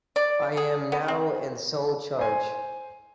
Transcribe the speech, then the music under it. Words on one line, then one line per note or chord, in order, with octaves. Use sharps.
I am now in sole charge.
D5
G#4
B3
C4
C5 G#5